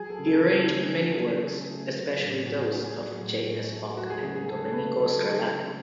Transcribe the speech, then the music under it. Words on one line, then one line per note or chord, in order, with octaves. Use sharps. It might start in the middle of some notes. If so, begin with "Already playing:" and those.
He arranged many works, especially those of J. S. Bach and Domenico Scarlatti.
Already playing: F#3 G#4
A4
C#3
A4
C#3 A4
A3
F#3
C#3
C#3 G#4
A3
F#3
A2
A2 F#4
G#4
A3 F#4
G#4
F#3 F#4
A2
A2
A3
F#3 F#4
G#4
C#3 G#4
G#4
C#3 A4
A3 B4
F#3 A4
C#3
C#3